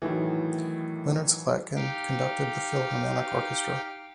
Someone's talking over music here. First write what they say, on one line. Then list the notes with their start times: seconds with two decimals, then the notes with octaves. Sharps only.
Leonard Slatkin conducted the Philharmonic Orchestra.
0.02 A2 D#3 E3 F#3 A3
1.76 D#4 G4 F5 G5 F6